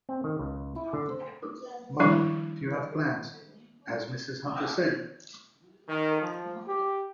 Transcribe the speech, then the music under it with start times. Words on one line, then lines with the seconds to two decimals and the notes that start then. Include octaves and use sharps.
Mother, do you have plans, as Mrs. Hunter said?
0.09 C4
0.24 D#3
0.39 C#2
0.76 E4
0.93 D3
1.10 C5
2.00 D#3 F3 G3 D4 E4
5.88 D#3
6.22 F3
6.68 G4